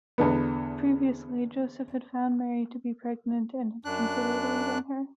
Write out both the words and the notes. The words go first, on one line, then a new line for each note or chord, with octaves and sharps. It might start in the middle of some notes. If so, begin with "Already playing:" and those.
Previously Joseph had found Mary to be pregnant and had considered leaving her.
E2 D3 B3
F#2 D4 F#6